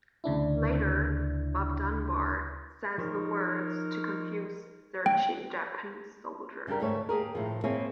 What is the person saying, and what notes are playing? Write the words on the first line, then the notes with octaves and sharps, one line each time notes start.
Later, Bob Dunbar says the words to confuse searching Japanese soldiers.
D2 C#3 D4 E4
F3 D#4 A#4 C5 C#5
G5
C#3 G3 D4 G4 A#4
D2 G#2 A3 C#5
A#3 G4 G#4 A#4
A2 D#3 F3
A#3 C4 E4 G#4 C#5 G#5